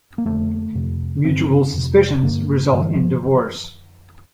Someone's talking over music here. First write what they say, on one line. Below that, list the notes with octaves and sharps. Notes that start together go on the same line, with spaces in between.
Mutual suspicions result in divorce.
A#3
F2 D3 A3
F2 C3
G2 D3 C4
F2 C3
G2 D3 A#3
G2 D3
E3
F3